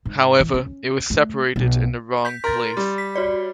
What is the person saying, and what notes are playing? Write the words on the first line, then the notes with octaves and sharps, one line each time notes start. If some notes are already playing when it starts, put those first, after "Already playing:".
However, it was separated in the wrong place.
G#2
E3
C#4
A3
B1
G6 B6
A#4 C6 A6
G3
B6
F#4 C#5 D5